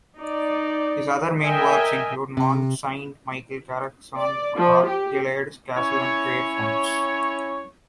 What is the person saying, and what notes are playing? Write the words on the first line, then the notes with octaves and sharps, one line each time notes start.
His other main works include Mont Saint-Michel, Carcassonne, Roquetaillade castle and Pierrefonds.
D#4 D5
A#4 D#5 E5 G5 G#5
C3
D5
F3
G4
C#4 E4 C#5